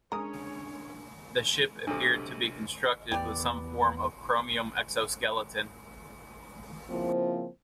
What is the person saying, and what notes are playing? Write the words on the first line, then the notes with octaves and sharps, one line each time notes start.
The ship appeared to be constructed with some form of chromium exoskeleton.
G#3 C#4 D4 A#4 C#5 D#6
B1 C3 D4 A4
E2 B3 G4 D5
C#3 F3 A#3 C4 E4 C5